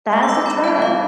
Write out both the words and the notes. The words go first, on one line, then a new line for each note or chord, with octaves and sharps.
That's a trip.
E6
G3 D6
B5
B3 D4 A5
F5